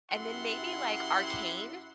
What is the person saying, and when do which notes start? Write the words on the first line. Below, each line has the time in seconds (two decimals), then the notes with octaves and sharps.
And then maybe like Arcane?
0.10 F#2 E4 G4 E5 F#5 C6